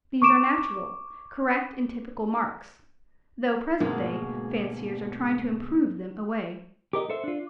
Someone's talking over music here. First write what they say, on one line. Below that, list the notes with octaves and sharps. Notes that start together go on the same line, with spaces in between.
These are natural, correct and typical marks, though present-day fanciers are trying to "improve" them away.
C#6 D6 D7 E7
D2 G#2 B2 G#3 A#3
G4 A#4 D#5 D6
A4 C5 E5
D4 F4